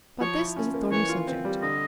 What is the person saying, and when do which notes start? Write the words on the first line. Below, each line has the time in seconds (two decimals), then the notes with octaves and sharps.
But this is a thorny subject.
0.21 F3 C#5
0.38 E4
0.56 C#4
0.74 A#3
0.91 E3 C#5
1.09 F4
1.28 C4
1.45 G3
1.62 D3 D#5